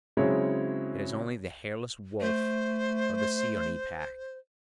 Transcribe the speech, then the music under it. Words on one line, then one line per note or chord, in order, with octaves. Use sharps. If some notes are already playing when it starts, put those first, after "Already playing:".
It is only the hairless wolf of the Seeonee Pack.
C#3 F#3 G#3 C4 E4 C#5
A3 C5